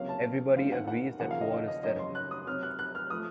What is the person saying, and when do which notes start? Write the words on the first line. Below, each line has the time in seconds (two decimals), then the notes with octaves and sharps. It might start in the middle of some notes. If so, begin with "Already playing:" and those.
Everybody agrees that war is terrible.
Already playing: C#2 C3 F#3 A#3 C#4 F5
0.09 A5
0.56 F2 D#3 A3 C4 F5
0.72 F#5
0.87 F#5
1.20 D#2 C#3 F3 A#3 C#4 F#5
1.31 F5
1.41 D#5
1.52 D#5
1.68 D#5
1.83 F#2 C#3 F#3 D#5
1.99 C6
2.15 F#6
2.31 D#6
2.47 C3 F#3 C4 F6
2.63 F#6
2.79 F#6
2.95 F6
3.10 F3 A3 D#6